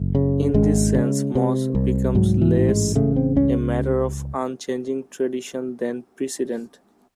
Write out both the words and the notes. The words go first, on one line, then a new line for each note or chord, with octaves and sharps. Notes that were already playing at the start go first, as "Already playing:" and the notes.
In this sense, "mos" becomes less a matter of unchanging tradition than precedent.
Already playing: F#1
C#3
G#1 G#3
C#3
C3
C2
G#2 F#3
E3
A1
G#3
C#3 A3
C4
C#2 C#4